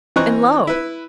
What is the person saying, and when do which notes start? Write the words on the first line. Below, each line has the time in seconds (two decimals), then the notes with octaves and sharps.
And lo!
0.16 E3 C4 D#5 A#5 C#6 F#6
0.67 E4 B4